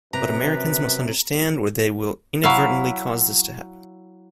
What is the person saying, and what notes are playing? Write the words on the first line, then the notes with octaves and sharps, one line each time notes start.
But Americans must understand or they will inadvertently cause this to happen.
F#2 C3 B4 A#5
F#3 E4 F5